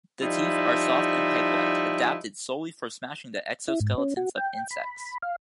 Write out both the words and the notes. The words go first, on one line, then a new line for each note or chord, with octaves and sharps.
The teeth are soft and peg-like, adapted solely for smashing the exoskeletons of insects.
F3 G3 D#4 E4
E4
G#2
C#4
F#4
G5
B5
F5